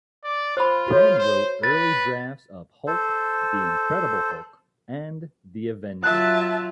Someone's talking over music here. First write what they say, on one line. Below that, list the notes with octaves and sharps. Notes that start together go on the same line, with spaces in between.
Penn wrote early drafts of "Hulk", "The Incredible Hulk", and "The Avengers".
D5
F4 C5 B5
F#4 A4 C#5
C5
B4 A6
A4 C5
F#3 F4 E5 A5 F#6